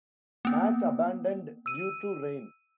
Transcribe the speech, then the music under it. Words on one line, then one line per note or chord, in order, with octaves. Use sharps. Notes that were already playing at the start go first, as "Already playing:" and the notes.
Match abandoned due to rain.
A#3 B3
E6 D#7